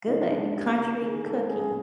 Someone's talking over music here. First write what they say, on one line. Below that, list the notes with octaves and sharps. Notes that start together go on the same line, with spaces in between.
good country cooking
C#3 D#4
G#3 D4
E3 G4
C#3
D#3 G#4
G#3 A4
C#4 G#4